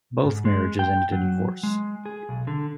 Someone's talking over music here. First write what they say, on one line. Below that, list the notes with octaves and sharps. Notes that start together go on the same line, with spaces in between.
Both marriages ended in divorce.
G#2
G#3
G5
F#3
G#3
G#4
B1
D3